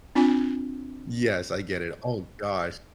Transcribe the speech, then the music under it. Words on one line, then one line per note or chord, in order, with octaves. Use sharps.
Yes, I get it. Oh gosh.
C4 D4 F4 G#5